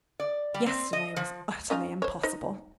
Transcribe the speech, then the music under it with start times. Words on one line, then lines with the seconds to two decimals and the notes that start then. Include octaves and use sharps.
Yesterday was utterly impossible.
0.20 D5
0.54 G3
0.66 C4
0.93 D#5
1.16 F3
1.70 C#4 D#4 F4
2.02 C5 C#5
2.23 D#4 C5